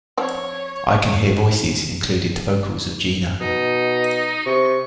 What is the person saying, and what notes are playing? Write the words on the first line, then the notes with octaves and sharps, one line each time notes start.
"I Can Hear Voices" included the vocals of Jina.
F3 C4 C#5 D5
B2 D#4
C3 C#6